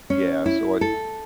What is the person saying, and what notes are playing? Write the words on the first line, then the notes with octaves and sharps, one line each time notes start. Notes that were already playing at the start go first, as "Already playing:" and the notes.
yeah, so I
C#4
E4
A4